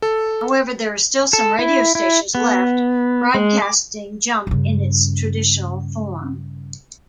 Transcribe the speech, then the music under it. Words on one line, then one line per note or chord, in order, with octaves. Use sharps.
However, there are still some radio stations left, broadcasting Jump in its traditional form.
A4
A4
E4
E4
B3
G#3
D6
G2 C#3